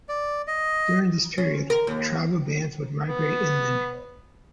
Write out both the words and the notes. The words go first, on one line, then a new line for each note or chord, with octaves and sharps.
During this period, tribal bands would migrate inland.
D5
D#5
C#4
A#4
D#2
B3